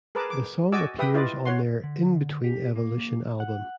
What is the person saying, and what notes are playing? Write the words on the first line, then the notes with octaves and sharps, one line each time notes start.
The song appears on their "In Between Evolution" album.
G#4 A#4 B4 A5 D6
D6
F#4 D5 D#5 G#5 D6 E6
G4 B4 E5 G5 D#6
E4 F4 B4 D5 D#5
C#5 F#5 C6
D3
G4
A#3
F#5